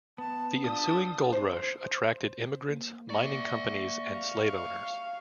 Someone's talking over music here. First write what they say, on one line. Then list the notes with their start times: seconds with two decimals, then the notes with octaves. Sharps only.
The ensuing gold rush attracted immigrants, mining companies and slave owners.
0.18 B3 A5
0.64 D4 F4 G4 A5 D#6
1.33 C5
2.70 A#3
3.10 D5 E5 C#6
4.14 F5